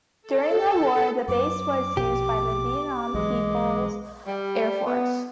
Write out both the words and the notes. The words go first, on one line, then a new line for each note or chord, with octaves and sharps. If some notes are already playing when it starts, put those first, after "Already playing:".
During the war the base was used by the Vietnam People's Air Force.
A4
F#2 D6
A#1 B2 G4
B1 E3 G#3
G3
B3